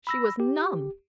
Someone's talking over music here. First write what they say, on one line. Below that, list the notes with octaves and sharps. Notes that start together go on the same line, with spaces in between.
She was numb!
B5 E6 A#6
G4